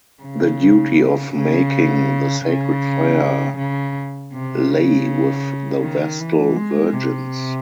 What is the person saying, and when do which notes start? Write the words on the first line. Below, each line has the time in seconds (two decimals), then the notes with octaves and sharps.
The duty of making the sacred fire lay with the Vestal virgins.
0.23 C#3
1.35 C#3
2.47 C#3
3.58 C#3
4.33 C3
4.71 C#3
5.82 D#3
6.20 E3
6.57 G#3
6.93 C3